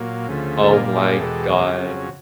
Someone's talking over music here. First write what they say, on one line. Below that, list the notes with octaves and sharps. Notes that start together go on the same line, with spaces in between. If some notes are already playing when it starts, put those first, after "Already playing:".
Oh my god.
Already playing: A#2 F#3 A#3
D2 C#3 F3 A3
A4
A#2 G3 A#3 G#4 A#4
G4 A4
G#4
E2 B2 G#3 G4 A4
F2 C#3 F#3